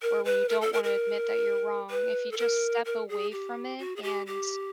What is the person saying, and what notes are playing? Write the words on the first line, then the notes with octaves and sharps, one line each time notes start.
or when you don't wanna admit that you're wrong, if you just step away from it and
A#4
B4
A#4
A4
A#4
A#4
B4
A4
A#4
A#4
G#4
G4
F#4
G#4
G4
G4